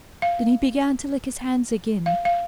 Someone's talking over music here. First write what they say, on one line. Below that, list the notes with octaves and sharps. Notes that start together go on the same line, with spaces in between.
Then he began to lick his hands again.
F5
F5
F5